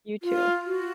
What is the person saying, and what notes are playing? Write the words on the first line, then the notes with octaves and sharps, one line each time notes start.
you too,
F4
F#4